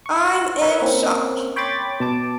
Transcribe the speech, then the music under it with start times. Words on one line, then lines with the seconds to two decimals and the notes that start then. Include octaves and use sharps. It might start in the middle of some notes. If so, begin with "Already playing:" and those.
I’m in shock.
0.06 C#6
0.61 A#4 B4 C#5 E5
0.82 A#3 C4 C#4
1.56 C#5 G5 B5 C6 D6 A6
2.00 B2 A5 D6